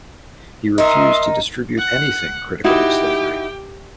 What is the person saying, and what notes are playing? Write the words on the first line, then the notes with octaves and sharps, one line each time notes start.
He refused to distribute anything critical of slavery.
D#4 A#4 D#5 E5 C6
F#5
D#4 E4 F#4 G4 G5